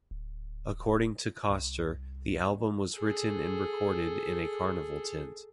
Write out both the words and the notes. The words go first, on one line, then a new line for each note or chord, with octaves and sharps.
According to Koster, the album was written and recorded in a carnival tent.
D1
C2
G#4 A4